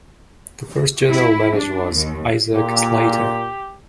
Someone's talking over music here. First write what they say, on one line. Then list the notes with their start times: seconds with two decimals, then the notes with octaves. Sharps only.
The first General Manager was Isaac Slater.
1.10 E4
1.57 D4
1.96 D#2
2.55 A#2 G4